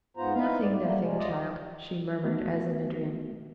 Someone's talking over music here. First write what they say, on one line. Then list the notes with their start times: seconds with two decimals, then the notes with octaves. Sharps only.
"Nothing, nothing, child," she murmured, as in a dream.
0.17 G#2 B3 F4 C5 A#5
0.34 D#4 E4 B4 F5
0.61 G#2 D5
0.79 F#3 G3 A3 A#3
0.99 C3 G3 G#3
1.18 D2 F#3 F4 D5 D#5
2.23 A3 B3 F#4